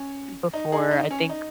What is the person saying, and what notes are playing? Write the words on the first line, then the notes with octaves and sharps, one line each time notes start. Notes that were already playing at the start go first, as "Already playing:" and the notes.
before, I think
Already playing: C#4
D#4
D#4 G#4
D#4
C#4
D#4